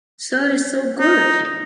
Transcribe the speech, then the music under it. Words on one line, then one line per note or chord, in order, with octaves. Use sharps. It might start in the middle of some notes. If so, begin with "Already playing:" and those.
Sir is so good!
D#4